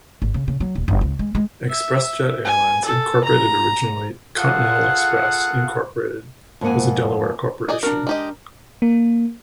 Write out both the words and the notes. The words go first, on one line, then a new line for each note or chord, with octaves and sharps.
ExpressJet Airlines, Incorporated originally Continental Express, Incorporated was a Delaware corporation.
G#1
C#3
C#3
F#3
D#1
F#1
C#2
G#3
G#3
E5
G#5
A4
A#5
F4 G#4 A4 F5 F#5
F2 G#2 A#3 F#5 G#5
G#4 D5 D#5
D4 F#4 A#4
G#3 G4 D#5
A#3